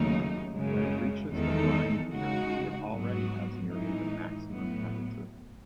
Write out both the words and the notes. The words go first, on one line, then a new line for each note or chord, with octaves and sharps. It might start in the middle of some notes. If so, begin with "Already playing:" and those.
When it reaches the brine heater it already has nearly the maximum temperature.
Already playing: D#2 C#3 F#3 A3 D#4
F#2 C#3 G#3
E2 D#3 G#3 D#4 A4
C#3 G#3 D#4 F#4
G#2 F#3 B3 F#4
A2 E3 G#3 D#4
A2 F#3 B3